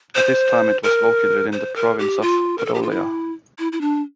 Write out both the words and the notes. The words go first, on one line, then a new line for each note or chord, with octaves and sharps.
At this time it was located in the province of Podolia.
C5
A#4
C5
A#4
G4
F4
A#4
A4
G4
F4
E4
E4
E4
D4